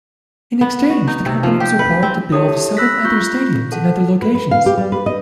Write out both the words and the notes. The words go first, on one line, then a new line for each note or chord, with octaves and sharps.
In exchange, the company was required to build seven other stadiums in other locations.
B3
F#4
D#4
C3
F3
G4
B4
C4
E4 G4 A4 C#5 D#6
B5 E6 F#6 A#6 B6
F4 C#6 F#6 G6 A#6
A4 F#5
B4
B4
F5
G4
G3
B4
D#5